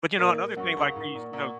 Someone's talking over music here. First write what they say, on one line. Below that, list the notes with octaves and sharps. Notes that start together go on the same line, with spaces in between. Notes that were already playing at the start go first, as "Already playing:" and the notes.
But you know, another thing, like, these, you know
A#2 A#3 A#4
F#2 F#3 F#5 C#6
C#2 C#3
G#2 A#4
A#2
A#2 F#5 C#6